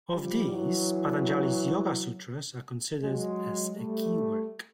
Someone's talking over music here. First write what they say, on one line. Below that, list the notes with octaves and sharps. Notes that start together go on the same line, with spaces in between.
Of these, Patanjali's Yoga Sutras are considered as a key work.
F3 G3
E3 F#3
F#3 G#3
G3 A3